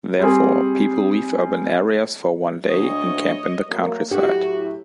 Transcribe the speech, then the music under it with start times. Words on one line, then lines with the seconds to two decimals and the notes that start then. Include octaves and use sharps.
Therefore, people leave urban areas for one day and camp in the countryside.
0.19 G3 C4 G#4
2.70 D2 C#5 D#5
3.69 F#3 A3 A#3
4.11 A2 F#3 E4 F#4 G4